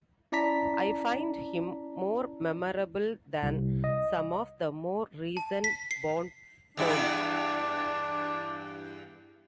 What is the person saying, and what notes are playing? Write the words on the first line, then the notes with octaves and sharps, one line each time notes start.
I find him more memorable than some of the more recent Bond foes ...
C#4 E4 D5 A5 A#5 B6
C2
D#5
A5
B6
C7
E2 G2 D4 E4